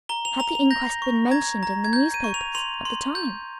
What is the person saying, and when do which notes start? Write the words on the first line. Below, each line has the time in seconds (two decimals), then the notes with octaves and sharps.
Had the inquest been mentioned in the newspapers, at the time?
0.09 A#5 G7
0.25 F7
0.40 A#5 F7
0.55 F7
0.71 G6 A#6
1.02 C#6
1.31 A#5 G#6
1.63 A#5
1.84 G#6
1.93 G6
2.14 D#7
2.24 C#6
2.34 F7
2.55 C6 F7
2.85 C6
3.15 G6